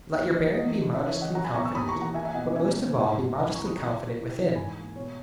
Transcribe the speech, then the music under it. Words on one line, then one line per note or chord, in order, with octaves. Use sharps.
Let your bearing be modestly confident, but most of all be modestly confident within.
D#2 C#5 E5
E3 D#5
E3 D#5
E3
C#3 C#5 E5
C#5 E5
E3
D#5 F#5
F#3 F#5 A#5
G#5 B5
B2 A#5 C#6
C#6 E6
D#2 B5 D#6
A#5 C#6
E3
F#5 A#5
A#3 E5 G#5
E5 G#5
B2 D#5 F#5
D#5
C#4 E5 G#5
A#3
G#2
G#2
C#2 F#5 A#5
G#5 B5
E4 A#5 C#6
B5 D#6
F#3 A#5 C#6
F#3
E4
E3
G#2 G#5 B5
A#3
B2 C#5